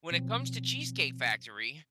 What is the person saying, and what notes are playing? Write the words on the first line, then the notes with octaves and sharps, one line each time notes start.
when it comes to Cheesecake Factory,
B2 F3 F#3 C4